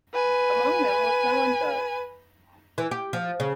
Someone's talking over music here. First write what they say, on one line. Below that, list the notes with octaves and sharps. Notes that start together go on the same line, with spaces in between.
Among them was Melantho.
B4 G#5
E3
G4
F3
C#3